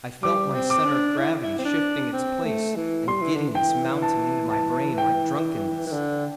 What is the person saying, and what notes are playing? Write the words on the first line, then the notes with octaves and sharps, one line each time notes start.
I felt my centre of gravity shifting its place, and giddiness mounting into my brain like drunkenness.
G3 D6
C4
D6
D4
E4
E4
C4
D4
C4
A3
E3
G3 C6
E3
D3
E3
G5
A5
A5
G5
E3
D3